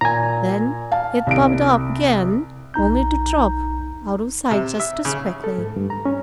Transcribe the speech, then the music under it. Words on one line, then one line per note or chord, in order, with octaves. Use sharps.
Then it bobbed up again, only to drop out of sight just as quickly.
A#2 G#5 A#5
F5 A5
C2 D7
B1 D#4 A#5 G6
C3
E5
C#3
A4
G#2
G2
A#5
C#4